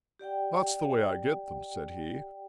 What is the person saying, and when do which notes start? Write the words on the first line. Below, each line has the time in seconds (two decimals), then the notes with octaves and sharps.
"That's the way I get them," said he.
0.19 G4 D5 F#5 G5